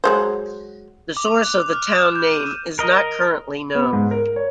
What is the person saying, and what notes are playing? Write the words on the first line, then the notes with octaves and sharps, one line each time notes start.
The source of the town name is not currently known.
F#3 G#3 C5
D6
F#6
F6
E7
G6
D#7
A#4 D#5
B3
G#2
A#4
C#5